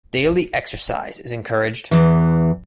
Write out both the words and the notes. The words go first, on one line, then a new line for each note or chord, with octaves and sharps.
Daily exercise is encouraged.
E2 E3